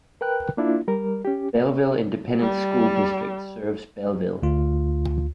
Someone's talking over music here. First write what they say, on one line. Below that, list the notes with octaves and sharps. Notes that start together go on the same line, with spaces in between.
Bellville Independent School District serves Bellville.
A#4 B4 G5 F#6
A#3 D4 E4 F4
G3 A#4
C#4 G4
G3
D2 F4